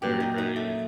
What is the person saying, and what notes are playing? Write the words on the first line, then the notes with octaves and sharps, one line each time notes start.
very, very
A#2 F#3 A#3 C#4 F#4 G4
D#4
D#4
A3